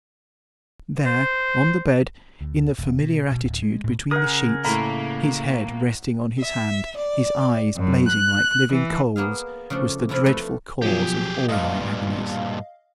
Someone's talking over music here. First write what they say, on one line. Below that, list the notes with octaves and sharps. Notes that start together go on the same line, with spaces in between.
There, on the bed, in the familiar attitude between the sheets, his head resting on his hand, his eyes blazing like living coals, was the dreadful cause of all my agonies.
C5
D2
E1
B2
B2
D1
G#3
A2
C#3 G#4 A#4 F#5 D#6
A2 A3 A#3 A#5 B5
E5
D5
F#2
F#6
E3
A#3 B3 G#4 F5
C#3 F3 A3 D4
C3 F3 D4 E4 F4
A3 B4
B2 F3 F#3 G4 G#4
G2 A#2 D#5 F5